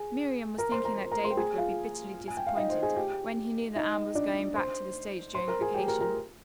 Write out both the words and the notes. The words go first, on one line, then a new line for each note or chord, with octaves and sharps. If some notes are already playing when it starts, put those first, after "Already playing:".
Miriam was thinking that David would be bitterly disappointed when he knew that Anne was going back to the stage during vacation.
Already playing: G#4 G#5
A#4 A#5
C5 C6
A#4 A#5
A#4 A#5
C5 C6
G5
G#4 G#5
F4 F5
G#5
G5
F5
D#4 D#5
C5
G#4 G#5
G4 G5
D#4 D#5
D4 D5
C5 C6
C5 C6
A#4 A#5
G#4 G#5
G4 G5
A#4 A#5
A#4 A#5